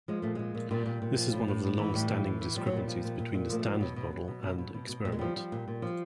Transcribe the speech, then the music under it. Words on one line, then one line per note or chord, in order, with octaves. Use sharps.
This is one of the long-standing discrepancies between the Standard Model and experiment.
F3 G#3
A#2 A3
F3 G#3
A#2
A#2 G3
A#2
A#2
F3
A2
A2
A2
E3
A2 G3
E3
A2
E3
F3 G3
F#3
A#2 G3
F3
A#2
A#2
A#2
F3 A#3
A3
A#2 G#3
G3
B2 F#3
B2
B2
B2
B2
B2
B2
B2
A#2 G3
G#3
F3 G3
F3
A#2
A#2
F3